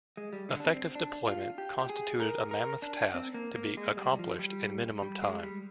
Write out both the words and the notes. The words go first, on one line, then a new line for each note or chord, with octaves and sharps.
Effective deployment constituted a mammoth task to be accomplished in minimum time.
G#3
G3
D3
D4
C4
D4
F4
G4
G4
G#4
A#4
A#4
D4
C4
A#3
A#3
G#3
G3
F3
G3
G3
G#3
G3